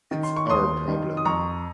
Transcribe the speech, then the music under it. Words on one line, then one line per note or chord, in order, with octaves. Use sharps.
It's our problem.
D#3
C6
C#6
D#2 C6 D#6
D#3
D#6
F2 A#5 C#6